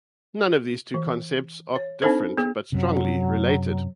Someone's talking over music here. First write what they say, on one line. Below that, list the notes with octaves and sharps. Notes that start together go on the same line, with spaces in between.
Note that these two concepts are different but strongly related.
E3
C#5
C4 D4 D#4 A4 C5
B3 G#4
F#2 C3 F#3